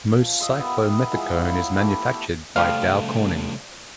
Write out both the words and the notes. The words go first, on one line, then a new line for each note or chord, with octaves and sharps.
Most cyclomethicone is manufactured by Dow Corning.
F3
D#5 E5 C6
B3 G4 A#4
E3 G#3 F4 B4
F#3 E4
E3 A3 G4
C2 F3 G3 A3 F5